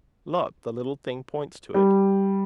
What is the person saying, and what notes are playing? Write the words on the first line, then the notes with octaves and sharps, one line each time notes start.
"Look, the little thing points to it."
G3